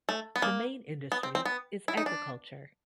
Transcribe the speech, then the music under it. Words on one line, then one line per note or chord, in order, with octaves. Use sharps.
The main industry is agriculture.
A3
B3
A#3
B3
C4
C4
B3
E4
D#4
D4